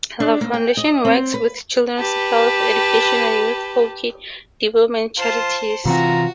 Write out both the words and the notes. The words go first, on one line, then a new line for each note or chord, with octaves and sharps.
The Foundation works with children's health, education, and youth hockey development charities.
D4
A#3
G5
D#5
C4
B4
G4 B4 A5
F4 C5 A5
C3 E3 C4 F4 F#4 A#5